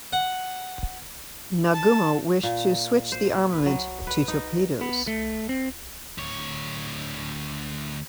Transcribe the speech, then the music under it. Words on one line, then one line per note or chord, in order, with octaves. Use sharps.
Nagumo wished to switch the armament to torpedoes.
F#5
A5
A#2
C5
B4
F#3
B4
D#4
B3
A3
C4
D2 C#5